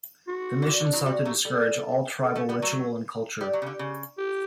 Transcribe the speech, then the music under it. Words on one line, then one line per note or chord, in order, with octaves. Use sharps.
The mission sought to discourage all tribal ritual and culture.
F#4
E3
D3
D3
D4
F#3
E4
G3 F#4
F#3 A3 G4
G3 A4
A4
A3 C#4
G3 B3
F#3 A3
G3 G4
F#3
C#3
D3
C#3
G4